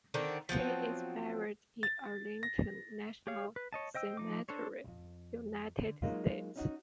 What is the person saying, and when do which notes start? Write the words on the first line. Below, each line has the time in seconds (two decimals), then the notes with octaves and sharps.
He is buried in Arlington National Cemetery, United States.
0.14 D3 D#3 C4 D4
0.49 F3 F#3 B3 C4
1.83 A6
2.43 A#6
3.27 G4 G#4 C#5 F5
3.56 B4
3.73 C#5 D#5 A5
3.95 C5 D#5 G5 E6
4.17 F3 D#4 D6
4.49 D4 A4 C5 C#5
4.84 B1 F2
5.80 D3
6.02 F#3 G#3 A#3 D#4 F4
6.56 C#4 D#4 F#4